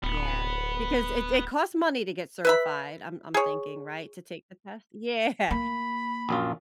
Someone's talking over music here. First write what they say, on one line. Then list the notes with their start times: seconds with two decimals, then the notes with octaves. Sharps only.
Yeah. Because it it costs money to get certified, I'm I'm thinking, right, to take the test? Yeah.
0.04 D1 B3
2.45 B4 E5 B5
3.34 G#4 C#5
5.51 A#3 B5
6.29 A#1 F#2 F4